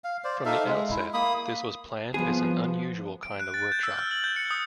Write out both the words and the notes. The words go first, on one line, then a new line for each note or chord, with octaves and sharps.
From the outset, this was planned as an unusual kind of workshop.
F5
C5 D5
D#4 A4 E5 F5
G#3
E4
A#3 B5 D#6
C2 F3 B3 G#4
D7
F#6
A6
G6
E6
F6
F#7
G6
C#7
D#6